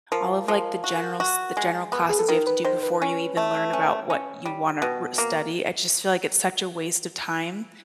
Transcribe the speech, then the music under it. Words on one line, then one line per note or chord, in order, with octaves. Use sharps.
all of, like, the general s the general classes you have to do before you even learn about what you want to r study, I just feel like it's such a waste of time,
F3 A#4
F3
F#4
F#4
G#3
B3
G#4
A4
D#3 A#4
B4
D#3 C5
B4
C#4
A3
C#4
C#4
G3
B2
A#3